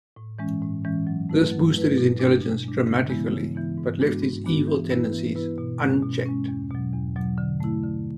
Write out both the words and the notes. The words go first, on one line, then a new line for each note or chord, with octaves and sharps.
This boosted his intelligence dramatically, but left his evil tendencies unchecked.
A2
E3 G#3 C#4
A2
E3 G#3 C#4
F#3
A3 E4 B4
F#3
A3 E4 B4
B2
G#3 D4
B2
G#3 D4
C#3
E3 G#3 B3 E4
C#3
E3 G#3 B3 E4
G#2
G#3 B3 D4 F#4
G#2
G#3 B3 D4 F#4
E3
B3 E4 B4
E3
B3 E4 B4
B2
G#3 C#4
B2
G#3 C#4
E2
B2 F#3
E2
B2 F#3
D3
A3 E4
D3